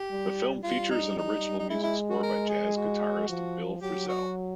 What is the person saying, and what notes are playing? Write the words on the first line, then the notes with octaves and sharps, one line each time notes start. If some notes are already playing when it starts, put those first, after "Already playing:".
The film features an original music score by jazz guitarist Bill Frisell.
Already playing: G4
G3
G3 F4
D#4
D#4
D#4
G#3 E4
E4
F#4
A#4
G#4
F#4
F3
F#3 G4
F#4